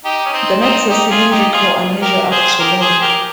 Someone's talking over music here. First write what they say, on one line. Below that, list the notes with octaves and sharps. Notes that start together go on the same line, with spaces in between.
The nuts are cylindrical and measure up to long.
D#4 G4
C#4
C4 D#4
C4 D#4
D#4 G4
F4 G#4
D#4 G4
F4 G#4
G4 A#4
G#4 C5
G4 A#4
G#4 C5
G4 A#4